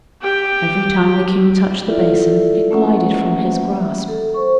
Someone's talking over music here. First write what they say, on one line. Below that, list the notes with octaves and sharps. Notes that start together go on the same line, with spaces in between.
Every time the King touched the basin it glided from his grasp.
G4 G5
E4 F4 A4 D5 E5
A3 A#3 C#4 B4 E5 F#5
A4
C5 C#6